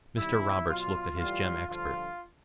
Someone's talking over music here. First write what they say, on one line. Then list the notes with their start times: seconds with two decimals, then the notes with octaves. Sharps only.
Mr. Roberts looked at his gem expert.
0.16 C3 D#3 G3 E4
0.67 B2 F#3 F4
1.17 A2 E3 G3 F4
1.68 G2 D3 F3 F4